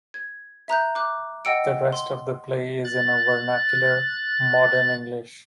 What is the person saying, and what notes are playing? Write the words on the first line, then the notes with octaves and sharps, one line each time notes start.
The rest of the play is in a vernacular, modern English.
G#6
E5 A#5 F#6 G6
D6 F#6
D#5 F#5 G5 E6 C#7 D7
C6
F#6 A6